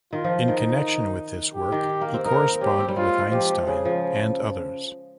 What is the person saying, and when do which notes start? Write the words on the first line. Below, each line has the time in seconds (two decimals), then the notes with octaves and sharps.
In connection with this work, he corresponded with Einstein and others.
0.13 D#3 F4
0.24 F3
0.48 D#3 D#4
1.55 G4
1.72 D#3
2.01 A#3
2.14 C4
2.25 D#4 A#4
2.61 C#4 G4
2.79 C4
2.88 G3
2.96 G#3 F4
3.32 F3 G4
3.67 C#3 G#4
3.85 F3